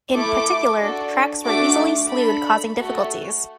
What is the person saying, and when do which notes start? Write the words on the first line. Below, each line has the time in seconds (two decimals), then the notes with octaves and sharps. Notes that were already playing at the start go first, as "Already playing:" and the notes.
In particular, tracks were easily slewed causing difficulties.
0.12 A3 E4 A4 D6
0.78 D4 F#4 A4
1.44 A3 D4 F#4 A4 D6
2.10 D4 A4 B5
2.77 A3 F#4 A4